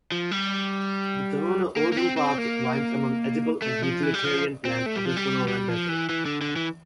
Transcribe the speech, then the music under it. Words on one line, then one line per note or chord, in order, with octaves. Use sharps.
The Tohono O'odham Path winds among edible and utilitarian plants of the Sonoran Desert.
F3
G3
A#3
A#3
C4
C4
A#3
A3
F3
E3
G3
F3
C4
A3
G3
F3
G3
G3
F3
E3
E3
D3
D3
E3